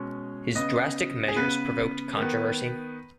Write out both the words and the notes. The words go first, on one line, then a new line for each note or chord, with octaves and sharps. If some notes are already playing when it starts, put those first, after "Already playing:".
His drastic measures provoked controversy.
Already playing: B2 G#3 C#4
C#3 B3 D#5
G#4
C#3 B3 B4
D#3 B3